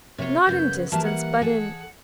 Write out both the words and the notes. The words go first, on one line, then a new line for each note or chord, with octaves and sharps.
'Not in distance, but in--.
C3 A#3 F4 C#5
F#2 C#3 B3 G6
E3 G3 A#3 A5
F#5
G#4 A4